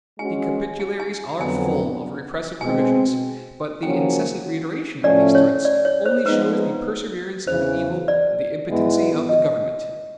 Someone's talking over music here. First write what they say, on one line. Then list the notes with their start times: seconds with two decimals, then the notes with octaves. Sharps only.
The Capitularies are full of repressive provisions; but the incessant reiteration of these threats only shows the perseverance of the evil and the impotency of the government.
0.18 G#3 C#4 F#4 G#5
0.80 G#5
1.00 G#5
1.40 F2 D3 F#3 B3 D4 G#5
2.61 B2 G#3 C4 G#5
3.83 C#3 F3 A#3 C#4 F#4 G5
5.04 A2 F3 A3 C#4 D5
5.35 C#5
5.65 D5
5.85 C#5
6.05 C5
6.26 F3 G#3 B3 D#4 B4
7.47 E2 C#3 E3 C5
8.08 D5
8.69 G#2 E3 G#3 B3 E4
9.29 D#5